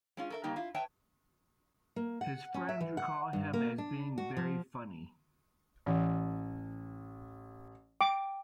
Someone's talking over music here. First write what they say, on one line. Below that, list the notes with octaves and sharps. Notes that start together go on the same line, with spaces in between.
His friends recall him as being very funny.
G#3 C#4 F4
A4 A#4 E5
C#3 G3 A#3 D#4 G4
E4 F4
B4 C#5 E5 G5 A5
A#3
F#5
C#4
E5
E3
F#5
G2
A#3
D4
F#4
F3
A1 E3
G5 D6